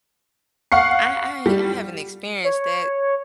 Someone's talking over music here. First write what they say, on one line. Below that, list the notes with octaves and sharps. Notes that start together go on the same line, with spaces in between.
I I ain't I haven't experienced that.
F5 F#5 C#6 C7
G3
C#5